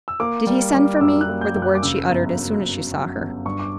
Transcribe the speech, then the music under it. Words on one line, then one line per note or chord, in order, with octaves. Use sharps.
"Did he send for me?" were the words she uttered as soon as she saw her.
E6
A#3 D6
G3
G3
D6
F#2 E6
F#6
A#3
G6
F#2
F#6
D6
C#3 E6
G1
F#2
G1
F#3
G1
G2 C#6
D6